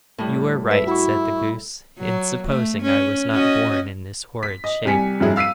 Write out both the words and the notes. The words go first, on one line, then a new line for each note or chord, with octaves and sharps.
'You are right,' said the goose, 'in supposing I was not born in this horrid shape.
A2 G3
B4 E5
E4 F#4 C#6
F#3
A3
C#4
C#4 F#4 D#5
B6
D#5
C2 G3 G#5 B6 C#7
F1 G2 F#3 E4 G#4
F5 E6 B6 C7 D#7